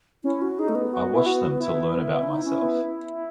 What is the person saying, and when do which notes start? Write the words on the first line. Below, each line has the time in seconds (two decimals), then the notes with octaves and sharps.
I watch them to learn about myself.
0.24 C#4 E4
0.42 F#4
0.58 D#4 G#4
0.69 A3
0.75 B3
0.92 F#4
1.14 E4
1.26 F#4
1.60 E4
2.23 C#4
2.28 D#4
2.45 C#4
2.62 B3